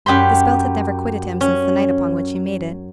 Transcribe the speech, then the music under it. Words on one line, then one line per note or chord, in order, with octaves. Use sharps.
This belt had never quitted him since the night upon which he made it.
F#2 G4 B5 C6
C#4